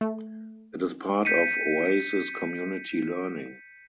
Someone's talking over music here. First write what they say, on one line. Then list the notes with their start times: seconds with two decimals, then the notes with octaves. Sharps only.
It is part of Oasis Community Learning.
0.01 A3
1.25 G6 B6 C#7 D#7